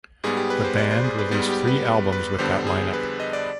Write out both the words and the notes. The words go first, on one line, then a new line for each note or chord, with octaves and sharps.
The band released three albums with that lineup.
G#2 G3 B3 G#4
G4
B4
C5
D5
C5
G#4
B4
G#2 G3 B3 G#4
G4
B4
B4
B4
F2 D3 G3 B3 C5
G#4
B4
D#5
D5